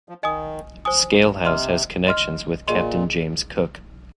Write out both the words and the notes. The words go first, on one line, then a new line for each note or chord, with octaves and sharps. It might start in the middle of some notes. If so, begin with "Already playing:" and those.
Skaill House has connections with Captain James Cook.
F3
D#3 D#5 G#5 D#6
C5 G#5 D#6
C3 D#5 C6 F6
D#5 C6 F6
A#2 G#4 D#5 C6